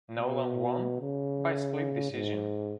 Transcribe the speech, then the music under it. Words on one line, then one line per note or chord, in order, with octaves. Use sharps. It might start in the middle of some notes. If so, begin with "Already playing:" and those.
Nolan won by split decision.
B2
C#3
G#2